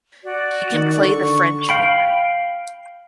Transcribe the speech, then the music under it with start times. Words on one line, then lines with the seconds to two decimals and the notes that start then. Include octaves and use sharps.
She can play the French horn.
0.24 F#4 D5
0.73 D#3
0.99 D3 C#6
1.69 F5 G5 B5